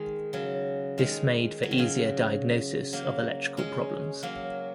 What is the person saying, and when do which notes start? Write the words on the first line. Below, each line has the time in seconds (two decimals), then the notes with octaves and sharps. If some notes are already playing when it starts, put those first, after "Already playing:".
This made for easier diagnosis of electrical problems.
Already playing: D#3 G#3
0.33 C#3 F#3
0.98 D#3 G#3
1.63 F#3
1.71 D#3
1.78 C#3 F#3
2.93 F#3 A#3
3.57 G#3 C#4
4.23 F#3 A#3